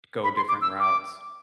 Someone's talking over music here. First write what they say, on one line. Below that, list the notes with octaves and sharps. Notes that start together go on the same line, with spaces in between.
go different routes.
B5
C6
D6
E6
D6